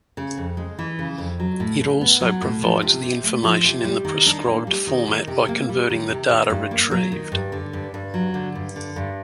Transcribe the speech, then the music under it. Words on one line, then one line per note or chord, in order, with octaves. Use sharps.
It also provides the information in the prescribed format by converting the data retrieved.
C#3
F2
G#3
E3
C#3
F2
F#3
A2
A2
B3
F#3
A2
F3
C3
C3
A3
F3
C3
G3
D#3
D4
A#3
G3
D#3
D#3
C3
A#3
G3
D#3
C3
D#3
G2
A#3
F#3
D#3
G2
D3
G2
G2
F#3
D3
G2
D3
G2